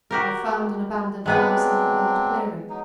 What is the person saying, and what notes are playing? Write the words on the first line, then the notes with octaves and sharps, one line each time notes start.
I found an abandoned house in an old clearing.
F#4 G4 A#4
F#3 G#3 B3 C4 D4 G#4
F#3 D#4